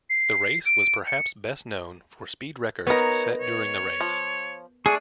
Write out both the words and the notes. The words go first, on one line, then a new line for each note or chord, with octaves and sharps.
The race was perhaps best known for speed records set during the race.
C7
D7
C#7
B3 D#4 F#4 A#4 C#5
C#5
F3
A3 D4 G#4 C#6